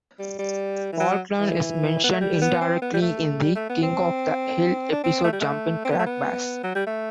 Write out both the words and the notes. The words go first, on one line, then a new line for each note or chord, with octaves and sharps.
Faulkner is mentioned indirectly in the "King of the Hill" episode "Jumpin' Crack Bass".
G3
G3
E3
F#3
E3
B3
A3
G3
B3
C4
B3
G3
A3
G3
A3
B3
C4
D4
C4
A3
G3
A3
C4
B3
A3
B3
F#3
G3
A3